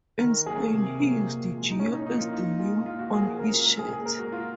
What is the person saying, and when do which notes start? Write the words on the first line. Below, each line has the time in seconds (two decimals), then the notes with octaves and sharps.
In Spain, he used "Gio" as the name on his shirt.
0.19 D#3 A#4
0.46 F#3 A#3 G#4
0.73 C3
1.00 F#3 A#3
1.26 A#2
1.53 F3 G#3
1.71 D#4
1.79 A#2 C#4
1.93 D#4
2.06 F3 A#3 D#4
2.20 F4
2.32 A#2 D#4
2.59 G#3 F4
2.86 A#2 F4
2.99 F#4
3.13 A#3 G#4
3.17 F3
3.26 G#4
3.39 C#3 A#4
3.53 A#4
3.66 G#3 A#4
3.79 G#4
3.92 A#2 G#4
4.06 A#4
4.19 G#3 F#4
4.32 F4